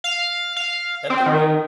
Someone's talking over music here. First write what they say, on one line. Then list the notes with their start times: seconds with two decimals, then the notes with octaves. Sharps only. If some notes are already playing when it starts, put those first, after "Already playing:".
that's the way
0.04 F5
0.56 F5
1.10 C4
1.26 D#3